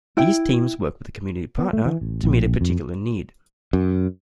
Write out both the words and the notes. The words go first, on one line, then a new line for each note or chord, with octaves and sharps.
These teams work with a community partner to meet a particular need.
E4 G5
B3
A3
E3
A1
A#1
F2
F#2